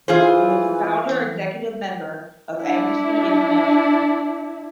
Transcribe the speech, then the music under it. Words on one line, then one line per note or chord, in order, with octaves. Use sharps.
He was the founder executive member of Amnesty International.
E3 F4 G#4 C5
D4 E4